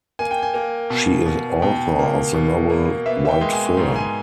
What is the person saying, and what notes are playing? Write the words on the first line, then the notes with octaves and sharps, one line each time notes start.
She is author of the novel "White Fur".
A#3 G#5
G5
G#5
A#3
B2
B2
B2 G5
A#3
B2
A#3
B3 E5
E5
G5
G#3
G#5
G#2
G#5